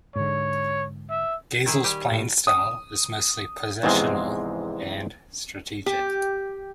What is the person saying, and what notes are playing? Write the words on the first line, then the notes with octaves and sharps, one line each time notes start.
Gausel's playing style is mostly positional and strategic.
G#2 D3 C#5
E5
D#3 E4 G#4
G3 G4 G#5
A2
D#6
E2 G#2 C3 F3 G#3 C4
G4